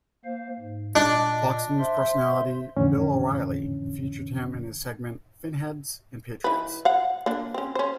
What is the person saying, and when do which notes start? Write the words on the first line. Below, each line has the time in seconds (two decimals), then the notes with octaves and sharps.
Fox News Personality Bill O'Reilly featured him in his segment "Fin-heads and Patriots".
0.25 A#3 C5 F5
0.59 G#2
0.96 A#2 D4 D#5
1.79 C5 E5 C6
2.77 F2 A2 D3 E3 C#4
6.44 E3 D#4 B4
6.85 F5 F#5
7.26 A#3 D4
7.54 C4 C#4
7.75 C#4 C5